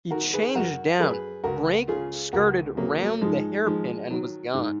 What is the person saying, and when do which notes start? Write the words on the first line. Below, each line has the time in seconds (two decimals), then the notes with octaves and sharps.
He changed down, braked, skirted round the Hairpin and was gone.
0.11 D#3 F#4 A#4
0.34 G#4 B4
0.55 F#2 F#4 A#4
1.00 F#2 G#4 B4
1.44 C#2 F#4 A#4
1.88 C#3 F4 G#4
2.33 C#2 F#4 A#4
2.77 C#3 F#3 A#3
3.00 F#3 A#3
3.21 G#2 F3 G#3
3.65 D#3 F3 G#3
4.10 D#3 F#3
4.55 G#2